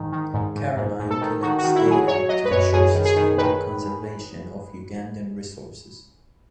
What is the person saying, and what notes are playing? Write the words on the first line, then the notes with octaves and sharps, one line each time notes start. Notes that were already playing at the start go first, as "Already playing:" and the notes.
Caroline collects data to ensure sustainable conservation of Ugandan resources.
Already playing: G#2 D#3
D#3
G#2
G#2
G#2
G#2
A4
D#3
D#3 F#4
F#4
D#3
E4
F#3 G#4
F#3 C#5
F#3 D#5
B4
F#2 C#5
F#2 G#4
D#3
G#4
D#3
D#3 B4